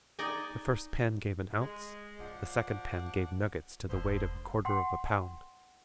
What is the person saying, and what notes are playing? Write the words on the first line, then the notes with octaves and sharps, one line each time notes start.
The first pan gave an ounce; the second pan gave nuggets to the weight of a quarter of a pound.
D#4 D5 D#5 G#5
G#3
F3 C#4 D5 F#5
E1 D3 B3 C5
F#5 G5 C6